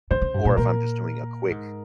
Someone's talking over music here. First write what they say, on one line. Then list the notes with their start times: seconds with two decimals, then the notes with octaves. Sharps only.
or if I'm just doing a quick
0.11 C#3 C5
0.21 C#3
0.34 G2
0.45 A#2
0.57 A#2 A#4
1.51 G#2